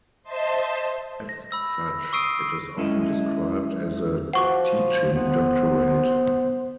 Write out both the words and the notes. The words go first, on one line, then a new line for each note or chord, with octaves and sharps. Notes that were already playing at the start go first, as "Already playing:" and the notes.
As such, it is often described as a "teaching doctorate".
C5 D#5 E5 A5 C6 E6
A#6
B5 E6 A#6
C#6 D#6 E6 C7 D7 D#7
G#3 C#4 E4 A4 D#5
F3 F#4 F#5 C#6 D6
B3 C5